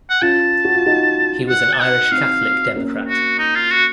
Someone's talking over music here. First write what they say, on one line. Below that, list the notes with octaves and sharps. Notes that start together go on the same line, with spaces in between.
He was an Irish Catholic Democrat.
F#5
C#4 F4 A5
F#4
F4
D#4 F#4
F#5
A5
F#5
C4 D#4 F5
A#3 C#4
F#4
D#4
F4
F#4